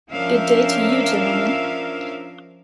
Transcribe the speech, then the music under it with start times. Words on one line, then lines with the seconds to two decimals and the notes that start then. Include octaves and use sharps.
Good day to you, gentlemen.
0.11 F3 C#4 D4 A#4 E5 F5